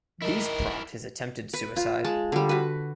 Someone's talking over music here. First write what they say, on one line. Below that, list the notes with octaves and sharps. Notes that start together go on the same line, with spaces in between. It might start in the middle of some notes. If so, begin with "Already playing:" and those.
These prompt his attempted suicide.
D#3 E4 A#4
B4
F4
G#3 A5
D3 G3
F#4 B4